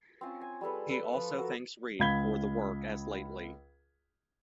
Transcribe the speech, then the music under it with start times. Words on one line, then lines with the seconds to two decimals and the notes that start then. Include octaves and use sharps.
He also thanks Reed for the work as lately.
0.21 C4 C#4 F4
0.41 G#5
0.61 G3 G#4 A4 B4
0.89 A4 B4
1.12 F3 F4 B4 F5
1.38 F#4 A4 A#4
1.99 C#2 F5 B5 G#6 B6 G7